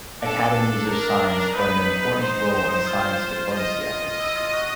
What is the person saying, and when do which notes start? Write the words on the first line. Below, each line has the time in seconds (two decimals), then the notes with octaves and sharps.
Academies of science play an important role in science diplomacy efforts.
0.22 D4 A4
0.88 A#4
1.54 D#4 B4
2.20 C5
2.87 F4
3.52 D#5
4.20 E4
4.36 F4
4.53 F#4